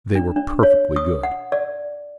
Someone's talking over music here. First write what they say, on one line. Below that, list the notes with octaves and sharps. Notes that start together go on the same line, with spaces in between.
They were perfectly good.
D4
D4
C#5
D#6
F#5
D5